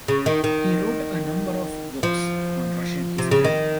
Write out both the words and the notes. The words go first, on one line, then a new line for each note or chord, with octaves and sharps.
He wrote a number of books on Russian history.
C#3
D#3
D#3
F3
C3
C#3
D#3